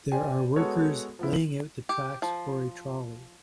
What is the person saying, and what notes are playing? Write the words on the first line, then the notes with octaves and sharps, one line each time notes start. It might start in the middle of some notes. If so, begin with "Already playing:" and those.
There are workers laying out the tracks for a trolley.
G4 C5 D5 G5 G#5
G#3 B3 F#4 A4 C#5
F3 B3 E4
F#7
G4
F3